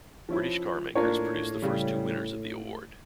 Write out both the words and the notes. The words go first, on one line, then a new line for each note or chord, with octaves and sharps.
British carmakers produced the first two winners of the award.
F3 C#4 E4
A2 A#3 D4 F4 A#4 C#5
C#3 G3 C#4